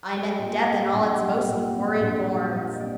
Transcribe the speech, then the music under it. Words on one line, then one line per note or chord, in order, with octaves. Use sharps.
I met death in all its most horrid forms.
G3 G5
A#2 G#5
C4 G5
A#1 F#5
G3
A#2
C4
A#1
G3
A#2 D#5
C4 D5